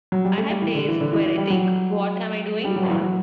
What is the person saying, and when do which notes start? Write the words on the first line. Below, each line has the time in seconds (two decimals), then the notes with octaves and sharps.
I have days where I think, 'What am I doing?
0.12 F#3
0.25 G3
0.38 A3
0.50 G3
0.62 E3
0.75 D3
0.88 E3
1.01 D3
1.13 E3
1.26 E3
1.38 G3
1.50 F#3
2.65 G3
2.76 F#3
2.89 E3
3.02 F#3